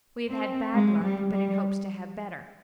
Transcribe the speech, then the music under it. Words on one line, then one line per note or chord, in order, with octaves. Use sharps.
We have had bad luck, but in hopes to have better.
C4
G#3
G3
G3